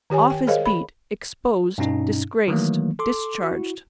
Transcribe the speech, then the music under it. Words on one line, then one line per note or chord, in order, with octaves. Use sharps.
Off his beat, exposed, disgraced, discharged.
D#3 G4 C#5 G#5
G5
G#4 A#4 C5 C#5 D#5 F5
B5
G2 B2 C#4 D#4
D#3 E3 F#3 A3 A#3
A4 C6 D6
E4 F#4